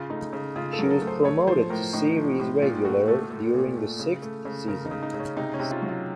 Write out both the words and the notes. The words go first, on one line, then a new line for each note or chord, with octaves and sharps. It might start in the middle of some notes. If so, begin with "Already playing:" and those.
She was promoted to series regular during the sixth season.
Already playing: C#3 F4
A3 D#4
C#3
C#3 F4
A4
F#3
A#4
A4
A3
C5
A3 C#5
F3 C5
A2 A#4
A2 D#4
F3
A2
A#2 F4
A3 F#4
A3 A4
A3
A#2
A3
C#3
A3
C#3
C#3 A#4
D#4
C#3
D#4
C#3
C#4
C3 D#4
C#4
C3
F4
F#3
F4